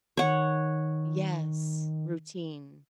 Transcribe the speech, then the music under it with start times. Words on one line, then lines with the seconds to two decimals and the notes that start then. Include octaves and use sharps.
Yes. Routine.
0.17 D#3 C#5 F#5